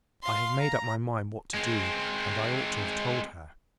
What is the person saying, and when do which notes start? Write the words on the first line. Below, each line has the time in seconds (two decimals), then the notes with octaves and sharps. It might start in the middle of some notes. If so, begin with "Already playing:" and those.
I have made up my mind what to do, and I ought to have told her.
0.23 F5 C6
0.61 A#5
1.54 G#3 C4